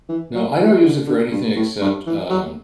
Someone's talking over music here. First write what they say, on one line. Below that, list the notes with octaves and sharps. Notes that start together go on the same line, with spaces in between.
No, I don't use it for anything except, um,
E3
F#3
E3
D3
D3
G2
A2
G2
E3
F#3